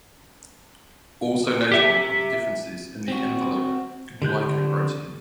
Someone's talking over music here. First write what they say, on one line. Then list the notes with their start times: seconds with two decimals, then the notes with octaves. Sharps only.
Also notable are the differences in the envelope glycoprotein.
1.72 G4 E5
3.08 C4 F#4
4.22 D3 G4 F#6 G6